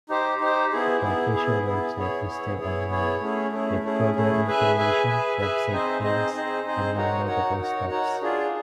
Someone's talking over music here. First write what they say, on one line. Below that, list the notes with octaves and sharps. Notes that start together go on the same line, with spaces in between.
The official website is still online, with program information, website games and downloadable stuffs.
D#4 G4 C5
D#4 G4 C5
B3 E4 G#4
B3 E4 G#4
B3 E4 G#4
B3 E4 G#4
B3 E4 G#4 C#5
B3 E4 G#4 C#5
B3 E4 G#4 C#5
B3 E4 G#4 C#5
A3 C#4 E4 G#4
A3 C#4 E4 G#4
A3 C#4 E4 G#4
A3 C#4 E4 G#4
G#4 B4 E5 G#5
G#4 B4 E5 G#5
G#4 B4 E5 G#5
G#4 B4 E5 G#5
C4 D#4 G#4 C5 D#5
C4 D#4 G#4 C5 D#5
C4 D#4 G#4 C5 D#5
C4 D#4 G#4 C5 D#5
D#4 F#4 A#4 C#5 F#5
D#4 F#4 A#4 C#5 F#5
D#4 F#4 A#4 C#5 F#5
D#4 F#4 A#4 C#5 F#5
D4 F4 G#4